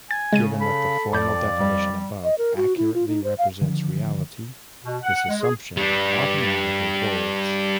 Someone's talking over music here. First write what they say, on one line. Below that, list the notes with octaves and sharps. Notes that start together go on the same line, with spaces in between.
Given that the formal definition above accurately represents reality, this assumption automatically holds.
G#5 A6
C#3 G#3 A6 D#7
A4 B5
F2 D5 B5 G6
G3
D#5
A#4
F#4
E4
F4
D#4
C5
F5
D3 D#3 F3
B2
F#5
G#3
G#4
G3 D4